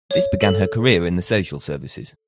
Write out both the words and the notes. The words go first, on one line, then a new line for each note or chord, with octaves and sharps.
This began her career in the social services.
C#5
A4